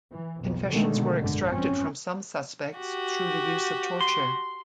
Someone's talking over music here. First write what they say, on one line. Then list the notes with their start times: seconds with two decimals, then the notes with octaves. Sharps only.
Confessions were extracted from some suspects through the use of torture.
0.11 E3
0.42 B1 F2
0.71 B2 D3 D#3 G#3 A3
1.19 G#1 F#2 D3
1.51 F3 C4 C#4
2.79 F#4 G4
4.01 C6